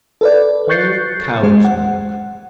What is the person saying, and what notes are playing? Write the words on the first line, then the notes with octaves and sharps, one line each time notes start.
Whole cow's milk.
A4 B4 D5
C#6 F#6 G6 A6 C7 C#7
G#3 C5
F#5